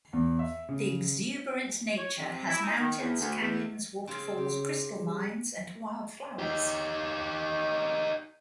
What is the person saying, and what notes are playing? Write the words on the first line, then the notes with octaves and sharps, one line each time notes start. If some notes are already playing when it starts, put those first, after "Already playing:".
The exuberant nature has mountains, canyons, waterfalls, crystal mines, and wildflowers.
E2
E5
C#3
C#5
C3
E4
D#4
D#3
E2
D2
E2
C#3 C4 F4
C#3 G4
G3
D#4 G4